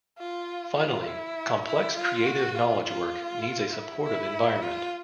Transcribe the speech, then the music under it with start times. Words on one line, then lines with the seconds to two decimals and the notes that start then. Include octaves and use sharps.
Finally, complex creative knowledge work needs a supportive environment.
0.18 F4
0.78 F4
1.07 E4
1.66 E4
1.96 F4
2.25 F#4
2.55 F4
2.85 F4
3.73 E4
4.03 E4
4.62 F4